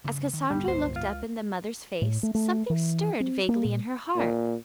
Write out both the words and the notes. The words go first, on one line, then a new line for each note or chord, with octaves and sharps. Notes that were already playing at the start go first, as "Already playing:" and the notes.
As Cassandra looked up in the mother's face, something stirred vaguely in her heart.
G2 C#3
D#3
D1 G1 G3 B3
C#2 C5
F4
A2
A3
A3
E3
C4
A#3
A#2
A#2